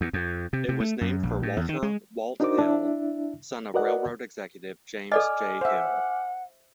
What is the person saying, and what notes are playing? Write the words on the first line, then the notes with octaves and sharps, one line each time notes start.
It was named for Walter "Walt" Hill, son of railroad executive James J. Hill.
E2
F2
C3
C3
A3
F#2
A#1
A2
E2
D#3
G#3
D4 D#4 F#4 A#4 C5 D6
D4 E4 E5
F#4 A#4 B4 D5 D#5 F#5
A4 D5 D#5 G#5 D6 F6
C5 E5 F#5